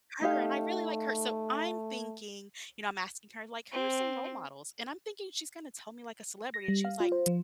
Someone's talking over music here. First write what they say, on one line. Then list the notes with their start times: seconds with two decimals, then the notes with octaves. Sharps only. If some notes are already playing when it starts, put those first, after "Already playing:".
her and I really like her." So I'm thinking You know, I'm asking her like, "Who are some role models?" And I'm thinking she's gonna tell me, like, a celebrity and she was like,
0.22 A3 D#4 G4 F5
3.72 C4
6.54 A#6
6.68 G3
6.85 F5
7.00 F4
7.12 C5
7.27 F3